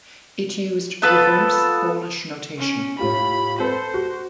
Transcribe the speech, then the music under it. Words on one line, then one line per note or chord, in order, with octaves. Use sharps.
It used Reverse Polish Notation.
B3 F4 A4 B4
C#4
A2 F4 G4 B5
C4 A4 B4 C5
F#4